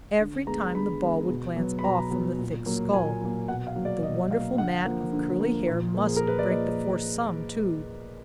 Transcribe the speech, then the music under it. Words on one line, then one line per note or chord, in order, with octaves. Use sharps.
Every time the ball would glance off from the thick skull. The wonderful mat of curly hair must break the force some, too.
D3
G#3 B3 A#5
D3 B5
G#3 B3
B2
F#3 B3
B5
B2 A#5
F#3 B3
A#2
F#3 A#3
A#2 G#5
F#3 A#3
B2 F#5
F5
F#3 A#3
D5
B2 D#5
F#3 A#3 F5
D3 F#5
F3 A#3
D3
F3 A#3
A#2
F3 A#3
G#4
A#4
A#2 B4
D5
F3 A#3 D#5